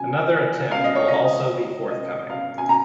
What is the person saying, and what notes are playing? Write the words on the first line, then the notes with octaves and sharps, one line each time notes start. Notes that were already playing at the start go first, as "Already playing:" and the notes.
Another attempt will also be forthcoming.
Already playing: G#5
F5
D#5
C#5
D#5
D#5
F5
G#5
A#5